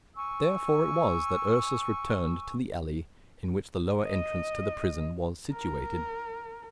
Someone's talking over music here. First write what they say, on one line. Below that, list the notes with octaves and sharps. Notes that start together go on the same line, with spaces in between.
Therefore it was that Ursus returned to the alley in which the lower entrance to the prison was situated.
G#5 C#6 E6
D#5
A#4